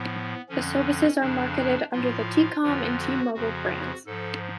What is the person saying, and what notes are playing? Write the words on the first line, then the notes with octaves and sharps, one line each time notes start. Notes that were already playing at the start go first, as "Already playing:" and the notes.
The services are marketed under the T-Com and T-Mobile brands.
Already playing: A2 F3 B3
F2 D3 F3 C#4
F2 C#3 F3 D4
A2 F3 F4
F2 D3 F3 F4
F#4
F2 C#3 F3 F#4
G#2 F3 A4